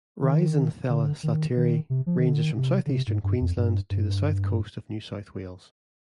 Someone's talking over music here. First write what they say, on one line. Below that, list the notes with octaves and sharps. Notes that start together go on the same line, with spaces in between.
"Rhizanthella slateri" ranges from southeastern Queensland to the south coast of New South Wales.
D#3
D3
D#3
D#3
C3
F3
D#3
D3
D#3
C3
D3
C3
G#2
G2
F2
G2
G2